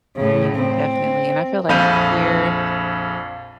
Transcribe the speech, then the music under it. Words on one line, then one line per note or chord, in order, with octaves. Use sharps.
Yeah, definitely, and I feel, like, here,
A2 C#3
C4
A#1 F2 F5 B5 G6 D#7